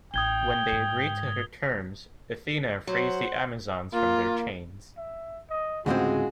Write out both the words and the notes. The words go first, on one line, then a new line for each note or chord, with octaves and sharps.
When they agree to her terms, Athena frees the Amazons from their chains.
A1 G5 D#6 G#6 G7
G#2
F#3 C5 F#5
A#3 F4
E5
D#5
D2 A2 C#3 G#3 C4 F4 F#4 G#4